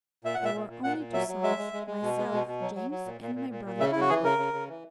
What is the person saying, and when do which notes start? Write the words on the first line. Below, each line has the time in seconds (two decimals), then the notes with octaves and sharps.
There were only two sons: myself, James, and my brother, Edward.
0.24 A#2 E5
0.34 A#2 F#5
0.45 E5
0.54 A#2
0.69 A#2
0.84 A#2 F#5
0.98 A#2
1.13 F#3 E5
1.28 F#3
1.43 G#3 E5
1.58 G#3
1.73 G#3
1.87 G#3
2.02 B2
2.17 G#3
2.32 B2
2.47 B2
2.61 F#3
2.76 F#3
2.91 F#3
3.06 A#2
3.21 A#2
3.35 A#2
3.50 A#2
3.65 A#2
3.80 C#3 E5
3.92 C#3 E4
4.01 F#4
4.09 E3 G#4
4.24 C#3 A#4
4.38 C#3
4.54 C#3
4.68 E3